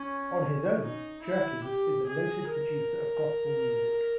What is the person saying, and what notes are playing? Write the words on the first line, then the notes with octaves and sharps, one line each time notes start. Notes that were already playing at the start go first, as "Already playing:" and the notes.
On his own, Jerkins is a noted producer of gospel music.
Already playing: C#4
D#4
E4
G4
G#4
A#4